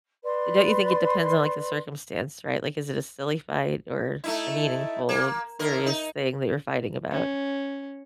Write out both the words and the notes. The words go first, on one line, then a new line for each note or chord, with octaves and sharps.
Don't you think it depends on, like, the circumstance? Right? Like, is it a silly fight or a meaningful, serious thing that you're fighting about?
B4 D5 C6
A3 D#4 E4
A#3
D#2 A#4
D#4
C#4